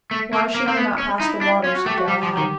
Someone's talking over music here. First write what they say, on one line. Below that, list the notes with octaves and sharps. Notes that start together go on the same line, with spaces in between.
Why should I not pass the water? said Galahad.
A3
A#3
A#3
C4
B3
C#4
D#4 E4
D4
C#4 F4
F#4
A3 G4
F#4
G3 G4
F3
D#3